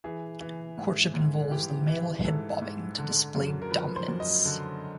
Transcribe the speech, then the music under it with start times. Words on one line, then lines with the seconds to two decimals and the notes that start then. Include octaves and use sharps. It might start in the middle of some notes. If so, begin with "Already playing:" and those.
Courtship involves the male "head bobbing" to display dominance.
0.04 E3 G#4
0.40 E3
0.78 G#2
1.14 G#2
1.51 E3 G4
1.88 E3
2.25 G#2 A4
2.62 G#2
2.98 D3
3.35 F#2
3.62 A#4
3.71 F3 B4
3.96 C5
4.08 F#2
4.20 D#5
4.45 D3